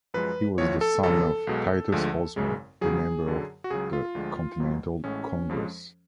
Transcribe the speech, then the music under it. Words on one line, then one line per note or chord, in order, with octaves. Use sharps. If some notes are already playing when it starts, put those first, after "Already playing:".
He was the son of Titus Hosmer, a member of the Continental Congress.
F#2 F3 G#3 B4
A1 A2 F3 C#5
A4
G#1 F#2 C#3 F3 A4
B1 B2 G#3
D2 D3 F3 G#3
G#1 F#2 C#3 G#3
C#2 C#3 F#3 G#4
F#2 D3 F#3
F#4
C#2 C#3 F#3 G#4
F4
D2 D3 F3 G#3
C#2 B2 F#3
A1 A2 G#3 C#4
F2 F3 G#3